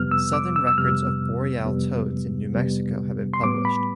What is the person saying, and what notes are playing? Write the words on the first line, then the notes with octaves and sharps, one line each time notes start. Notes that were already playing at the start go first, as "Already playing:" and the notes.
Southern records of boreal toads in New Mexico have been published.
Already playing: F2 C3 G3 B3 F6
E6
D6
E6
E6
F2 C3 G3 B3 F6
F2 C3 G3 B3
F2 C3 G3 B3
C6
A2 G3 B3 D6
B5